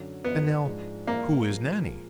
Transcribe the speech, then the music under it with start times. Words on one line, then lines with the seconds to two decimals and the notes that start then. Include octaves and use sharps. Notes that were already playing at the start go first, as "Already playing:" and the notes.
And, now, who is Nannie?
Already playing: F#2 D3 F#3
0.24 B3
0.66 G#2 F3 G#3 D4
1.07 A#3
1.49 A#2 F3 G#3